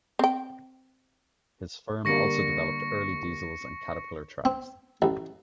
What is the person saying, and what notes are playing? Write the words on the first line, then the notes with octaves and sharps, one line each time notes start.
His firm also developed early diesels and caterpillar tracks.
C4 G5
D3 G3 A#3 C#6 A#6 C#7
C4
A1